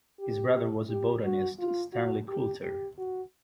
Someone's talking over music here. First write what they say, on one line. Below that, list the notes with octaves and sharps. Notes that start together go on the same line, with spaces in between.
His brother was the botanist Stanley Coulter.
G4
G4
F#4
F4
F#4
G4
G4
F#4